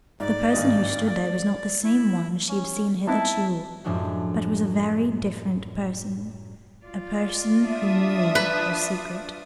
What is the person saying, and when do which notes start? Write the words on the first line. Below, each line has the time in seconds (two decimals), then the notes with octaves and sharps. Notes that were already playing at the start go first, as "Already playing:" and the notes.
The person who stood there was not the same one she had seen hitherto, but was a very different person--a person who knew her secret.
0.20 G#2 D5
0.52 G#1 G2 D#5
1.08 D5 A6
1.83 E4
2.49 C#4
3.08 B3 C4 D#4 E4 A5
3.84 F#2 A2 F3 G#3 D4 F#4
6.86 F4 D5
7.63 D4 E5 D#6
8.35 B4